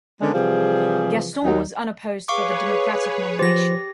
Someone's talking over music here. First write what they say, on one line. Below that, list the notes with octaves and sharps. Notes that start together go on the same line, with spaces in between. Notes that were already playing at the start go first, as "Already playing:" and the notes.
Gaston was unopposed for the Democratic nomination.
D3 D#3 G#3 B3 C#4 D4
C3 E3 F3 G3 G#4
D#2 F#3 D#4
G#4 B4 C#5 F5 C#6 D6
F3 G4 C5 A#6